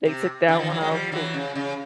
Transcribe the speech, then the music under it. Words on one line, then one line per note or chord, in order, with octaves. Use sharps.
They took that one off too.
C3
D3 E3
D#3 F3
E3 F#3
F#3 G#3
F3 G3
E3 F#3
C#3
C#3